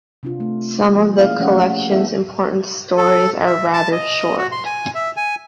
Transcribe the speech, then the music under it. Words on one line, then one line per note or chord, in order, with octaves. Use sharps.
Some of the collection's important stories are rather short.
C3 D4 F4
A3
F3 A#3 G4
B2 A#3 C#4 E4 G#4 F5
F3 A3 C#4 G4 C#5 F#5
B3 E4 G#4 A4 E5
A4
E5
A5
D#5
F#4
C6
G#5
E5
G#5